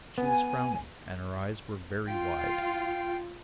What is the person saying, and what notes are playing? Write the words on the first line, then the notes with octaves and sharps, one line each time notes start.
She was frowning, and her eyes were very wide.
B3 G#5
F4 G5